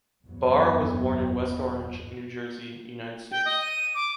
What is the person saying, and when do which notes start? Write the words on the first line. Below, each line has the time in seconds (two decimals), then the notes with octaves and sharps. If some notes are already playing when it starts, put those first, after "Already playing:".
Barres was born in West Orange, New Jersey, United States.
0.25 F#1 E2 G#2 F#3 B3
3.31 G5
3.46 D#5
3.62 D#7
3.95 D6